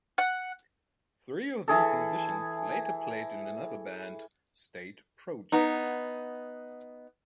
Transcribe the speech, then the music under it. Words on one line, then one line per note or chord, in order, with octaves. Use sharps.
Three of these musicians later played in another band, State Project.
F#5
E3 G#4 A4
B3 D#4